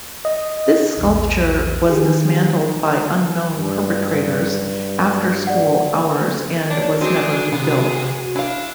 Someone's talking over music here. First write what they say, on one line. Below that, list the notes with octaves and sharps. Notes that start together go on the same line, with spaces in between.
This sculpture was dismantled by unknown perpetrators after school hours and was never rebuilt.
D#5
A#1 E2
D#3 G4 G#4
G2
D5 F#5
D4 C#5
C4 D4 D#4 F#4 G#4 D5
C3 B3
D4 E4 F5